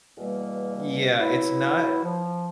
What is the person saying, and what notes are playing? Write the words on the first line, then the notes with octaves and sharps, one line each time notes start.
Yeah, it's not
E2 B2 G3 A#3
F#3 B3 E4
F3